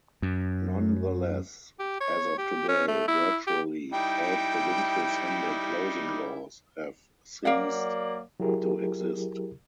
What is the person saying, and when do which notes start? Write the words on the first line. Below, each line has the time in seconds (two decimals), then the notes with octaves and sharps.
Nonetheless, as of today, virtually all provincial Sunday Closing laws have ceased to exist.
0.22 F#2
1.79 G4
2.00 C#5
2.38 G4
2.68 C#4
2.88 A3
3.08 E4
3.47 G4
3.92 G3 D#4 E4 G5
7.45 F#3 A#3 A#4 D5 F5 F#5
8.40 F#3 E4 G4 G#4 A#4